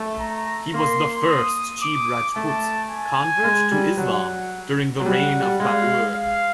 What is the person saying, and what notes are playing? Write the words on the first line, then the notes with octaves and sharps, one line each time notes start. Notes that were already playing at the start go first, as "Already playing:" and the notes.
He was the first Chib Rajput convert to Islam during the reign of Babur.
Already playing: A3
A#5
A#3 C6
D#6
D6
A3 A5
G#5
G#3
G3
F#3 F#5
F#3
G3 F#5
G3
G#3 F5
F5